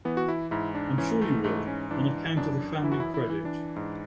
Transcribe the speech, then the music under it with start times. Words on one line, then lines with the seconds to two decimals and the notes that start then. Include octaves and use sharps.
I'm sure you will, on account of the family credit.
0.05 E3 B3
0.17 F#4
0.28 E4
0.51 G#2 E4
0.75 D4
0.98 E3 C#4
1.21 A3
1.44 G#2 A3
1.67 C#4
1.91 E3 D4
2.37 F#2 D4
2.83 E3 E4
2.92 F#4
3.00 E4
3.14 E4
3.30 E3
3.45 D4
3.76 G#2